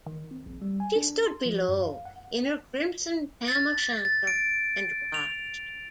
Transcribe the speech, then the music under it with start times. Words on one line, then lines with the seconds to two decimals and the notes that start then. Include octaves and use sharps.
She stood below in her crimson tam-o’-shanter and watched.
0.06 D#3
0.31 C4
0.46 A#1
0.62 G3
0.80 G#5
0.96 D4
1.26 C6
1.45 F3
1.68 F#2
1.81 F5
2.05 F#5
3.48 A6
4.05 A6
4.27 D7
5.14 F7